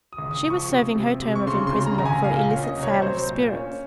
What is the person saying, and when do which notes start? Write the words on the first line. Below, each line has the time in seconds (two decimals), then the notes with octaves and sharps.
She was serving her term of imprisonment for illicit sale of spirits.
0.13 D#6
0.18 C#2
0.31 D#6
0.44 F3
0.50 C#6
0.69 C3
0.95 C3
1.22 C3
1.35 C#6
1.47 C#3 C6
1.67 C6
1.73 C#3
1.86 A#5
1.98 C#2 A#5
2.05 G#5
2.24 A#2 F5
2.51 C#4
2.64 D#5
2.77 C2
2.83 C#5
3.02 F#3 C5
3.28 A#2
3.53 C#4